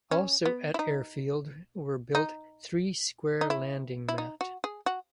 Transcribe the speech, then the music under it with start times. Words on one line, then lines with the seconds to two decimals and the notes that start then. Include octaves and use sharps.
Also at Airfield were built three square landing mat.
0.11 C#4
0.45 B3
0.74 E4
0.79 D#4
2.15 D#4
3.41 D#4
3.50 E4
4.08 E4
4.18 D#4
4.41 F#4
4.64 G#4
4.86 F#4